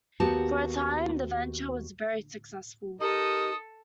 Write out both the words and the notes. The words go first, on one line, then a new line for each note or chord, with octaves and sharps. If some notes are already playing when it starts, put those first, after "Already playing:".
For a time the venture was very successful.
D#2 B3 F#4 G4 A5
D#4 G4 A4 A#4 D#5 D#6